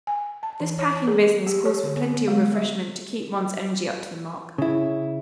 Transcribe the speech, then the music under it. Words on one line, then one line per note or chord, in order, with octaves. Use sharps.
This packing business calls for plenty of refreshment to keep one's energy up to the mark.
G#5
A5
E3
C#5
G#4
G4
C#5
D3
B3
G#3
G3
C#3 E4